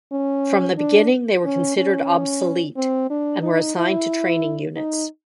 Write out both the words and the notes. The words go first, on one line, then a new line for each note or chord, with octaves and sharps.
From the beginning they were considered obsolete, and were assigned to training units.
C#4
D4
C#4
C#4
C4
D4
D#4
E4
D#4